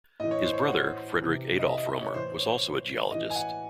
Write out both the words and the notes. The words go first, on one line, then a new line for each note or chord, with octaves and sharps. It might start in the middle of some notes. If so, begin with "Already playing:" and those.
His brother, Friedrich Adolph Roemer, was also a geologist.
A2 E3 D#5
C#5
C5
C#5
F#5
C3 E3
D#5
E5
D#5
D#5
C#5
A2 E3 C5
C#5
A2 E3 D#5
G#5
F#5